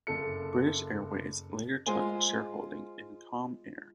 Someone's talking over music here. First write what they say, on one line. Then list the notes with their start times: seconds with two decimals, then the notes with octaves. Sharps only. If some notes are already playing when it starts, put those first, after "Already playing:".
British Airways later took a shareholding in Comair.
0.07 F#1 A4 C#7
1.87 G#3 F4 G#4 C5 F5 G#5